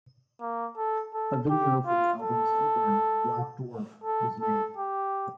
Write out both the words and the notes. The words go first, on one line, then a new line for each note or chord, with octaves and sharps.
A video for the album's opener, "Black Dwarf", was made.
A#3
A4
A4
G4
F4
A4
A4
A4
G4